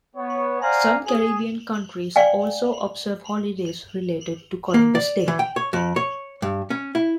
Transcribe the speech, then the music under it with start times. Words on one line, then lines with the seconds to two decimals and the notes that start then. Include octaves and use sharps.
Some Caribbean countries also observe holidays related to Columbus Day.
0.16 B3 C#5
0.61 C5 D5 F5 F#5 G#5 A#5
1.06 G#4
2.16 D5 F5 G5 G#5
4.74 A#3
4.95 D5
5.28 E3
5.39 G5
5.56 C#5
5.73 F2
5.96 C#5
6.42 G2
6.70 C#4
6.95 E4